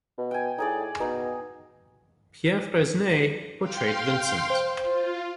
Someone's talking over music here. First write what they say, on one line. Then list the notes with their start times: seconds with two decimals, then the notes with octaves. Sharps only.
Pierre Fresnay portrayed Vincent.
0.18 B2
0.31 G5 G#5
0.58 A2 D#4 G#4 D5
1.00 B2 D#4
3.59 F5 G5 C6
4.50 C5
4.82 F4